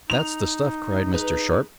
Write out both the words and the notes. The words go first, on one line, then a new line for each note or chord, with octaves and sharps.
"That's the stuff!" cried Mr. Sharp.
D#4 F7
D#4 G#4 B4 A#5